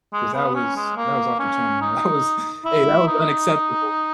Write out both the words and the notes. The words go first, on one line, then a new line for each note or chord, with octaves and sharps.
'cause that was that was off the chain, and that was hey, that was unacceptable.
G#3
B3
C#4
G#3
A#3
C#4
D#4
E4
D#4